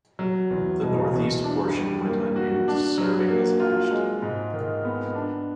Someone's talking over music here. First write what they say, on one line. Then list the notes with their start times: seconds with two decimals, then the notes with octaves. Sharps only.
The northeast portion went unused, serving as an ash dump.
0.19 F#3
0.50 E2
0.82 B2
1.13 E2
1.44 D4
1.75 G3
2.05 A#3
2.36 F#4
2.68 D4
2.98 F#3
3.29 A#3
3.60 F4
3.91 G#3
4.22 G#2
4.54 D#3
4.85 B3
5.15 D4